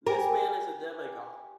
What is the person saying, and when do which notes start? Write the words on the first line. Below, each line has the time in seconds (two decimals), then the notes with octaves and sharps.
This man is a demagogue.
0.07 G4 A#4 G#5